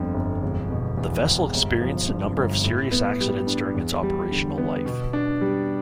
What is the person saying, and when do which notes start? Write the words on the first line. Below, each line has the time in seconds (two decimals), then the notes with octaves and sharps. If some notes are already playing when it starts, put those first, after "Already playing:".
The vessel experienced a number of serious accidents during its operational life.
Already playing: G1 F2 D3
0.14 G1
0.43 E1
0.70 B2
0.97 E2
1.25 E1
1.54 G1
1.81 F3
2.08 G2
2.36 G1
2.64 A2
2.91 B3
3.20 G3
3.47 D4
3.75 E2
4.03 G3
4.31 D3
4.58 B3
4.86 B2
5.13 D4
5.41 G3